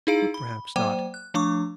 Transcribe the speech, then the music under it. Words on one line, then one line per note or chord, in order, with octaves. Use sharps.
But perhaps not.
D#4 E4 G#4 F5 A#5 D7
B5
F#3 A#3 C5 G5 D6
F#6
F3 A3 D4 C#6 D6